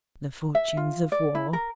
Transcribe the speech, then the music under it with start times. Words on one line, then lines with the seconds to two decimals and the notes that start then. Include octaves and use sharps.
"The fortunes of war ..."
0.55 E5
0.77 F4
1.12 D5
1.35 E4
1.53 A#4